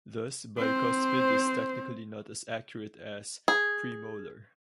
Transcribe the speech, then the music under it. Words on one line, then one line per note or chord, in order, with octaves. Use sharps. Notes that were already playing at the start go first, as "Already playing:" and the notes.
Thus, "bicuspid" is technically not as accurate as "premolar".
C4 C5
G#4